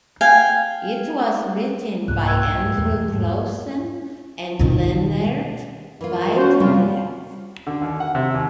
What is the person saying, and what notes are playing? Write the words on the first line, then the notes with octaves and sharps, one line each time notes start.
It was written by Andrew Clausen and Lennert Buytenhek.
F5 G5 G#5
C2 G#2 A#3 F#6
G5 E6 G#6
G2 A#2
E2 A3
G#2 G3 A#3
B2 D#3
E3 F4 A#4
C#4 F#4 C5
C3 G3 A#3 C4 F4
D3
D#2
F#5
C3
D#2